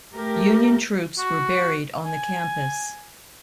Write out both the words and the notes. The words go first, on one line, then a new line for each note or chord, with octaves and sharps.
Union troops were buried on the campus.
A3 G4 A#4
F#4
G#5